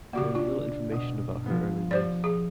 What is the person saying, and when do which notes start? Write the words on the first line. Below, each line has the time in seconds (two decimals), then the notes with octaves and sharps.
There is little information about her early life.
0.13 C#3 A#3 F#4 G4 D5
0.35 D4 F4
0.91 B2 D#6
1.46 F3 B3
1.91 G4 C5 D5
2.24 G#4